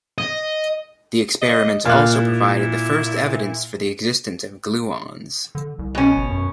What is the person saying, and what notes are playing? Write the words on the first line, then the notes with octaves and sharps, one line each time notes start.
The experiments also provided the first evidence for the existence of gluons.
D#5
D#5
A#2 F5 F#6
E4
D3
C2
B2 C#4
G1
F#2